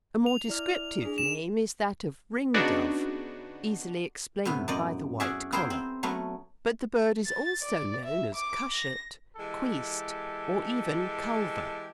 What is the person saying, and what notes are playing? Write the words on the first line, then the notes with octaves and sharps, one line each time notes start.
A more descriptive name is that of ringdove, easily explained by the white collar, but the bird is also known as cushat, queest, or even culver.
F7
E4 D5 F6
D4 G#4
E7
C#3 B3 D4 D#4 F#4
A2 C3 B3
F#2 D5 D#5
C#4 F#4 G#4 D5 E5
B3 E4 G#4 A#4 C5 G5
C4
F#3 A3 B3 C#4
A6
D5
E5
D6
A#6
E3 G#3 G4 A4